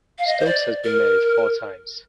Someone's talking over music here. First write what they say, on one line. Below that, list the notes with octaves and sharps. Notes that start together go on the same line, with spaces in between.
Stokes has been married four times.
F5
D#5
C5
D5
A#4